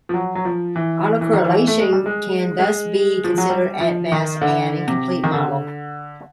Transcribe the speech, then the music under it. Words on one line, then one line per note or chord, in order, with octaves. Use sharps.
Autocorrelation can thus be considered, at best, an incomplete model.
F3
F#3
F#3
F3
E3
E3
D#3
E3
A3
G#3
G3
G#3
G#3
F3
F#3
G3
F3
D#3
D3
C3
D#3
D3